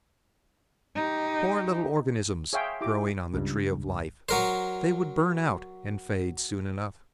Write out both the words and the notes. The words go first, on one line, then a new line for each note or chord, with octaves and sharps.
Poor little organisms growing on the tree of life--they would burn out and fade soon enough.
D#4 G4
G#4 C#5 E5 F5 G5 C6
E4 G4 D6
C#2 G2
F#3 A#4 C5